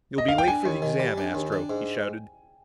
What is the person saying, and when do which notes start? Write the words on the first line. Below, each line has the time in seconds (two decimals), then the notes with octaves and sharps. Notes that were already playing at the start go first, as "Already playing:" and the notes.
"You'll be late for the exam, Astro!" he shouted.
0.18 D#5
0.28 F5
0.38 G5
0.48 D4 G#5
0.65 D#2
0.82 D#3
1.00 G3
1.18 D4
1.35 D#2
1.52 D4
1.70 G#2